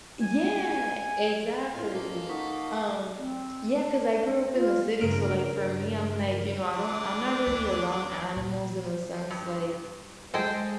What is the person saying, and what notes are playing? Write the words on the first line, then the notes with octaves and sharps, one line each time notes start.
Yeah, exactly, um, Yeah, 'cause I grew up in the city. So, like, for me, I'm like, you know, I don't I'm not really around animals in a sense, like,
G#5
A2 F4 C5 D#5 F5 G#5
A#3 C#4 A4
D#4 F#5 C#6 B6
A3
C4
D4
F4
G2 C#3 A#4 D7
E3 D4
D#2
A#2
G2
G#3 G#4 A4 C5 D#5 G5